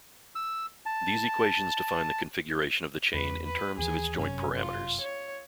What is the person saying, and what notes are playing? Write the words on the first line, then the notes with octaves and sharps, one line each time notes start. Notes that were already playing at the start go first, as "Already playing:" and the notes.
These equations define the configuration of the chain in terms of its joint parameters.
E6
A5
E2 B4
B4
D#2 E3 G#4
G1 F#2 C3 C#4
F4
C#5